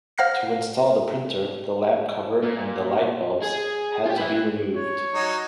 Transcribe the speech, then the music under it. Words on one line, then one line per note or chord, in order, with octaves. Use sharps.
To install the printer, the lamp cover and light bulbs had to be removed.
C5 F5 F#5 F6 A#6 C7
A#2
G#4
F4 G4
B4 E5
C#5
F#3 D#4